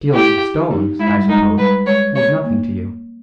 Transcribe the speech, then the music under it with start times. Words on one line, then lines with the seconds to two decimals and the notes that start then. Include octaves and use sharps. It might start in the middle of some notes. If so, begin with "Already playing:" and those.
Stealing the stones, I suppose, was nothing to you.
0.13 E4 G4 G#4
0.71 D#4 G4
0.99 G#3 E4
1.15 G3
1.29 G#3 D#4
1.43 G#3
1.57 G3 B4
1.86 G#3 C#5
2.15 C#5
2.44 A#3